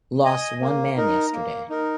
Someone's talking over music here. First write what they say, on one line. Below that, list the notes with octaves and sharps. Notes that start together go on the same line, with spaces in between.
Lost one man yesterday.
D#5 G#5
A#3
D#4 A#4
A#3
D#4 A#4